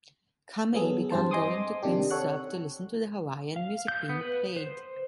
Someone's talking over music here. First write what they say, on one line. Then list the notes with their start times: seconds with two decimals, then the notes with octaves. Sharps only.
Kamae began going to Queen's Surf to listen to the Hawaiian music being played.
0.74 F#3 B3 G#4 A4
1.10 G2 C4 C5 A5
1.31 D#5 G#5 C6 D6 D#6
1.82 C3 D#3 D4 G4
2.11 A4 C#5 F#5 F#6
3.56 F5
3.88 G6
4.09 B3
4.21 B4
4.56 C5